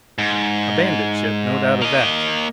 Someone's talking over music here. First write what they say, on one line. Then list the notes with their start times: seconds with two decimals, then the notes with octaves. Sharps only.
A bandit ship, no doubt of that.
0.18 G#2
1.82 A#3 D#5